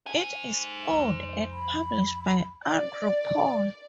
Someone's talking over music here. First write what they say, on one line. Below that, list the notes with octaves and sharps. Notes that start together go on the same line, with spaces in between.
It is owned and published by Andrew Paul.
C5 G#5
C2 F2
B5
D5